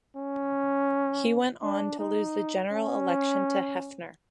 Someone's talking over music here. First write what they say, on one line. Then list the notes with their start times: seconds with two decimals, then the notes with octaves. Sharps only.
He went on to lose the general election to Hefner.
0.16 C#4
1.63 D4
1.99 D#4
2.71 C#4